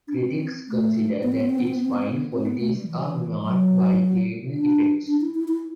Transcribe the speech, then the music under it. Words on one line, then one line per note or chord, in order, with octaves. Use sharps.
Critics consider that its fine qualities are marred by leaden effects.
D4
C4
A3
B3
C4
B3
C4
B3
C4
B3
C4
B3
C4
B3
C4
B3
A3
G3
E3
F#3
D4
D4
E4
E4
E4